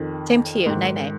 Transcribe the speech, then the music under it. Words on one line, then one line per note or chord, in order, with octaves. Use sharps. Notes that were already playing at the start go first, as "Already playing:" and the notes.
Same to you, night night.
Already playing: F2 D#3
G#2 D#3